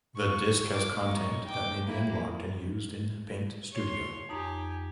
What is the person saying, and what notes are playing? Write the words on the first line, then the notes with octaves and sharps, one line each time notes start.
The disk has content that may be unlocked and used in "Paint Studio".
C#6
D6
D#4 C#6
G5 D6
A#3 E4
C#5 C6
F2 D#4 G4 G#5 A#5